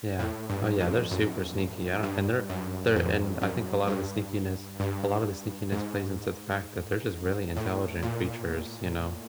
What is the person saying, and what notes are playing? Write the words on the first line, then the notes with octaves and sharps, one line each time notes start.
Yeah. Oh, yeah. They're super sneaky yeah and they're they're and I think a lot of the sneakiness a lot of the sneakiness plays into the fact that they're just really intelligent creatures, you know,
A2
G2
F2
F#2
G2
F#2
F2
F#2
G2
G2
G#2
A2
A#2